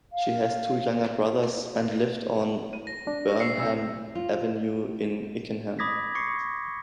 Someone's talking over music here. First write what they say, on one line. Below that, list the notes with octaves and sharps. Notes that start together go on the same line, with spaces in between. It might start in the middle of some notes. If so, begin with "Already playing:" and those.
She has two younger brothers and lived on Burnham Avenue in Ickenham.
F5
D#7
A#6
D4
C#6
E6 C7 C#7
D2 C3 E6
F4
B5 D6 D#6 G#6 A#6 B6
C#6 D6 A#6 C7 C#7